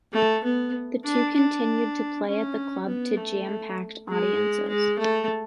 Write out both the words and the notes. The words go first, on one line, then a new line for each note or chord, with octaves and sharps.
The two continued to play at the club to jam-packed audiences.
A3
B3
D4
D4
C#4
B3
A3
G#3
G#3
A3